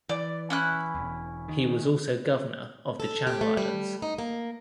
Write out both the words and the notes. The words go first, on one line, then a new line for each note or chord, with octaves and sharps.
He was also governor of the Channel Islands.
E3 D5
C#4 E4 F#6
E1 E2
D#3
A4
G4
A3
G3
D#4
A#3